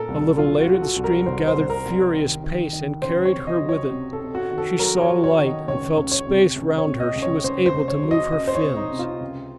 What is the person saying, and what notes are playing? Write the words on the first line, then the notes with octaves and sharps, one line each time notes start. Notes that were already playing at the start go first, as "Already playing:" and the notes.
A little later the stream gathered furious pace and carried her with it; she saw light and felt space round her; she was able to move her fins.
Already playing: A#2 A4 A#4
C2
A4
F#3 F4
F#4
F#3
A4
C2
A#4
C2 C5
C5
C2
A#4
C2
D#3
D#3
D#3
C#2 C5
C#5
C3
D#5
F#3
C#5
C3
A4
C3
F#4
D#3
A4
F#3 A#4
C#5
F#3
C#5
D#3
D#5
C#2 C#5
C#2
C#5
C3
C#2
C#5
C3
D#5
C#2
C#5
C#2 C5
C5
C#2
C#5
F#3
D#5
C#2 D#5
C5
C#5
C3
D#4
C3
F4
C#2